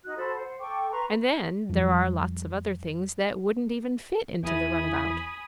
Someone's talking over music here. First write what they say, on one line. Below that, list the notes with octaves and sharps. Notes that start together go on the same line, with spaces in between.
And then there are lots of other things that wouldn't even fit into the runabout.
D#4 F#4 F#6
F#4 A4 C5 B5
C5 F#5
A4 G5 C#6 D6
B4 A#5 C6 C#6
F2 F3 G3
E2 E4 G#5 B5 D#6